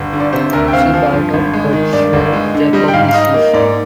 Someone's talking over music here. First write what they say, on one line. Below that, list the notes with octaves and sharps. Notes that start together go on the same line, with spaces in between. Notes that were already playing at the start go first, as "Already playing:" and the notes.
She died of Creutzfeldt-Jakob disease.
Already playing: G1
D3
D5
C3 C5
D2 A#4
G5
C4 F5
F3
G2
G#1
G#3
D#3
G2 D5
G1
G#3
D3
G3 D#5
G5
G#2 F5
F5
D#4 D#5
A#3
G#2 D5